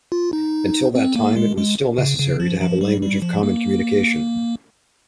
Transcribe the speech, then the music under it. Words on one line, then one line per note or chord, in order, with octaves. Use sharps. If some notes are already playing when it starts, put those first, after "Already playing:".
Until that time it was still necessary to have a language of common communication.
F4
D#4
C4
A#3
G#3
G#3
C#3
C#3
F3
F3
G3
G3
F3
A#3